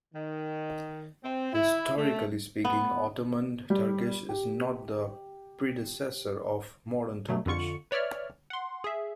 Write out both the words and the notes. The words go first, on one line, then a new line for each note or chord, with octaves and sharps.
Historically speaking, Ottoman Turkish is not the predecessor of modern Turkish.
D#3
C4
E4
A3
B3
G3
G4
B2 F#3 A3
F2 D3 F4 C#6 C#7
B4 C#5 D5 E5 F6
F#5 C6
G#4 E5